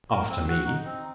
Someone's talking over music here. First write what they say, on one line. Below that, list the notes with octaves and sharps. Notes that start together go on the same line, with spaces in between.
"After me?"
A#4
C4
F#4
D#4
C4